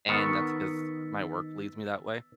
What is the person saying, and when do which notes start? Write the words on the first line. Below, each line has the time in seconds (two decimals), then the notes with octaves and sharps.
and that's because my work leaves me that way.
0.09 D#3 B3 A#4 C#6 E6 A6 B6